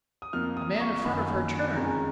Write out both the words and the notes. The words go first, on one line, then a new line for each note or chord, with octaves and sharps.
A man in front of her turned.
D#6
F2 F3 A#3 F4 F6
D#6
C#6
F#2 D#3 A#3 D#4 B5
F2 D#3 G#3 C#4 A#5
G#5
A#5